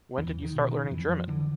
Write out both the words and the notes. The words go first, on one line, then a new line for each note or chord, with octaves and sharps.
When did you start learning German?
E2 E3
D#3
B2
D#3
F2 E3
F3
D3 E3